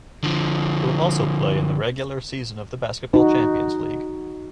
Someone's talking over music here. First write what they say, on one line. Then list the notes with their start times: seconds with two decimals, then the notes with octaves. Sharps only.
It will also play in the regular season of the Basketball Champions League.
0.24 D3 F3
3.14 D#4 F#4